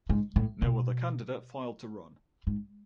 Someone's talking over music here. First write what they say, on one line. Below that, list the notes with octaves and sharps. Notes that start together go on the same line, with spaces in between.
No other candidate filed to run.
G#2
A2
B2
G#2